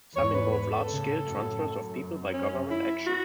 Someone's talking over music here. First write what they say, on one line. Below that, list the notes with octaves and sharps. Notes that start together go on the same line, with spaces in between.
Some involved large-scale transfers of people by government action.
E2 G#2 C#5
B4
B4
A4
A2 C#3
F#2 A2
F#2
C#4
E4
F#4